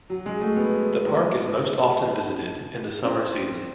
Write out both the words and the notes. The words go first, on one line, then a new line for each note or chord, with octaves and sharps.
The park is most often visited in the summer season.
F#3
G#3
A3
B3
C4